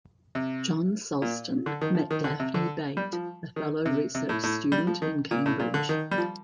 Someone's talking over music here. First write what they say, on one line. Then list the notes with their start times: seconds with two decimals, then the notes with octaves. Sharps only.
John Sulston met Daphne Bate, a fellow research student in Cambridge.
0.35 C3
1.22 A#2
1.66 D3
1.81 D#3
1.95 F3
2.11 D#3
2.24 D3
2.40 C3
2.54 D3
2.97 G3
3.13 F3
3.56 D#3
3.86 C3
4.15 C3
4.29 A2
4.43 A2
4.72 G3
4.87 F3
5.02 D#3
5.31 A#2
5.46 A2
5.59 A#2
5.74 D3
5.89 D#3
6.11 G3
6.18 F3